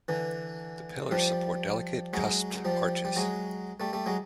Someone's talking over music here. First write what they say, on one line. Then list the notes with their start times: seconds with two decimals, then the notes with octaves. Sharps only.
The pillars support delicate cusped arches.
0.08 D3 E3
1.11 F3 G3
2.13 F#3 G#3
2.65 F3 G3
3.05 G3
3.16 F#3 G#3
3.80 G3 A3
3.93 G3 A3
4.06 F#3 G#3